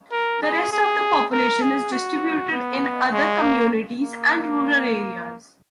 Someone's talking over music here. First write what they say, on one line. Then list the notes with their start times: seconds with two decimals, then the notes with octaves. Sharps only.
The rest of the population is distributed in other communities and rural areas.
0.12 A#4
0.42 G#4
0.72 G#4
1.32 A#4
1.62 G#4
1.92 F#4
2.51 B3
3.12 G#3
3.42 A#3
4.01 A#3